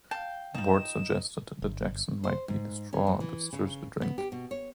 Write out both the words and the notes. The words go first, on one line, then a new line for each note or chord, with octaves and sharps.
Ward suggested that Jackson might be the straw that stirs the drink.
F5 G5 A5
F3 D#4 E7
G1
C5
G#2
C#4
F2
E3
C#3
B3
G4
B2
C#5